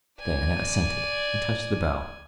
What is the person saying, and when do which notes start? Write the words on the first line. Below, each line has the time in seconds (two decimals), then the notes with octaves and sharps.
Diana assented, and touched the bell.
0.20 D5 G#5